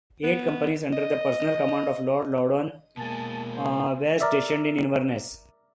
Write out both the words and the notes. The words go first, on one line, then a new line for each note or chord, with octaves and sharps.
Eight companies, under the personal command of Lord Loudoun, were stationed in Inverness.
B3
D#5
B2 G#3 A#3 G#5 A5
C5
A#4 D5 E5